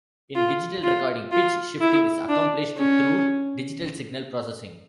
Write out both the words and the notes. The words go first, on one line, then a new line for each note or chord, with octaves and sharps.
In digital recording, pitch shifting is accomplished through digital signal processing.
F4
F4
F4
E4
D4
C#4